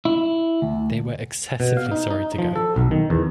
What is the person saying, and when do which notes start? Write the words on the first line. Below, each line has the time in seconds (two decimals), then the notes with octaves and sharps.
They were excessively sorry to go!
0.05 E4
0.62 D2
1.60 B2
1.77 F5
1.91 D#4
2.10 D#4
2.38 F3
2.56 A4
2.76 B1
2.91 D#3
3.10 E2